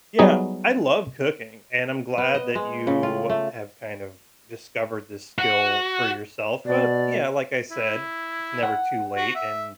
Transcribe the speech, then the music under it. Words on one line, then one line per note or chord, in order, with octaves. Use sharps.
Yeah, I love cooking, and I'm glad that you have kind of discovered this skill for yourself, but, yeah, like I said, it's never too late, and,
F#3 G3 B3 D#4 G#4
B3
D#5
G#3
C#3
F4
A3
F#4
B2 D5
E4
F#5
F#4
E5